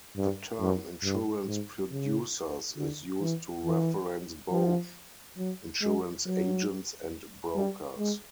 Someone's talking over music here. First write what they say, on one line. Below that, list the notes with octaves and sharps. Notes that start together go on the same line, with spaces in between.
The term insurance producers is used to reference both insurance agents and brokers.
G2
F#2
G2
G#2
C#3
D3
E3
E3
F3
F#3
G#3
F#3
G3
G#3